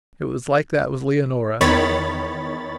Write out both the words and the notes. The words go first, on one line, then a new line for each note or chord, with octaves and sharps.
It was like that with Leonora.
E2 D#3 C#5 B5 A6